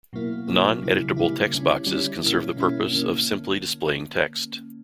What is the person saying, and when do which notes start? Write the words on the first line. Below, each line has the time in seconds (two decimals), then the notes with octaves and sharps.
Non-editable text boxes can serve the purpose of simply displaying text.
0.13 B2 F#3 A#3 E4
0.47 B2 F#3 A#3 E4
0.81 C#3 G3 A#3 E4
1.17 C#3 G3 A#3 E4
1.52 D3 G3 C#4 E4
1.86 D3 G3 C#4 E4
2.22 B2 A#3 C#4 E4
2.56 B2 A#3 C#4 E4
2.91 D3 A#3 C#4